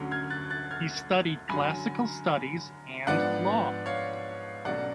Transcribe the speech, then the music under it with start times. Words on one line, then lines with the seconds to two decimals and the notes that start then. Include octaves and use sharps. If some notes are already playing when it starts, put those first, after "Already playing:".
He studied classical studies and law.
Already playing: D2 D3 F#3 C#4
0.11 F6 G#6
0.30 F#6 A6
0.50 F#6 A6
0.71 F6 G#6
1.49 F#2 D3 F#3 G#5 B5
3.07 G#2 F3 B3 D4 D5 F#5
3.86 C#5 F5
4.65 B1 B2 F#3 A3 C#4 D5 F#5